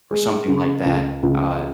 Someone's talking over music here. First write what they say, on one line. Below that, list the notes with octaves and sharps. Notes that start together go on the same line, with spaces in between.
or something like that. Uh,
G#3
C#3
C#2
C#2